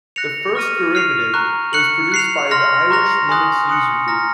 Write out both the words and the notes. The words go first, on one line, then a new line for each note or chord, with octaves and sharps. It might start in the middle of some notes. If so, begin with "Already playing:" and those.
The first derivative was produced by the Irish Linux Users Group.
F#6 A#6 C#7 F7
C#6 F6 A#6 D#7
F6 C7 F7
A#5 C#6 F#6
F#6 C#7 F#7
F#6 C7 F7
C6 F6 A#6 F7
A#5 C#6 F#6 A#6 F7
G#5 C6 D#6 F#6
C6 D#6 F#6 C#7
A#5 F6 A#6